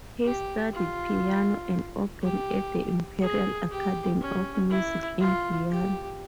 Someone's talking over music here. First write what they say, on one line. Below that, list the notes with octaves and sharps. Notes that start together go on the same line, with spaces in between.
He studied piano and organ at the Imperial Academy of Music in Vienna.
G4
F4
G4
G#4
G4
C#4
E4
F4
G4